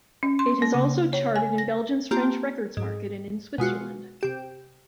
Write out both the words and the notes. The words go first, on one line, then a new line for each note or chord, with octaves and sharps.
It has also charted in Belgium's French records market and in Switzerland.
C#4
C6
A#3
C#3
C#5
G#5
A#6
A#3 C4 F4 G4 A5
G#2
B2 G#3 F4 F#4
C3 G4 E7